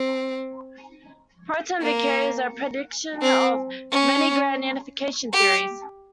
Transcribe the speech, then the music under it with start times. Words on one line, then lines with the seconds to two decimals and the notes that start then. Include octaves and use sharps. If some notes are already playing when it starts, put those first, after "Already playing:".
Proton decay is a prediction of many grand unification theories.
Already playing: C4
1.81 A#3
3.22 C4
3.91 C#4
5.33 G4